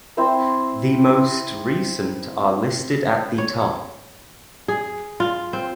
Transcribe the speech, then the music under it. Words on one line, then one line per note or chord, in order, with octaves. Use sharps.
The most recent are listed at the top.
C4 E4 C5 E6
C#5
G#4
F4
C4